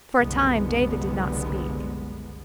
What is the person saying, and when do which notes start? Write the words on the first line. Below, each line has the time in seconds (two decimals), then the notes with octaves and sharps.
For a time David did not speak.
0.18 F#1 C2 D3 G#3 B3